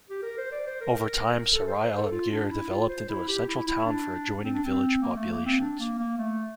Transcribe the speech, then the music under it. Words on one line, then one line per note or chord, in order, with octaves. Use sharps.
Over time, Sarai Alamgir developed into a central town for adjoining village populations.
G4
A#4
C5
D5
C5
A#4
A4
C5
C5
A4
F4
D4
E4
F4
C5
E4
G4
E4
E4
D4
C4
D4
C4
A#3
A3
A#3
C4
D4
A#3
A#3
A3